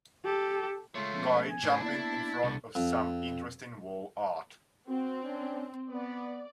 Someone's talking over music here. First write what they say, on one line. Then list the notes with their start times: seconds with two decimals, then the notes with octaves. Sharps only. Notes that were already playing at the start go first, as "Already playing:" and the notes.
Guy jumping in front of some interesting wall art.
0.25 G4 A4
0.95 G#3 A3 F4 C#5
1.13 F3 B3 C#4
1.50 G#5
1.64 A2 D4 C5
1.82 A#3 B3 E4 D5 A5
2.44 C2 D3
2.75 F2
4.89 C4 F#4
5.22 C#4 D4
5.89 B3 D5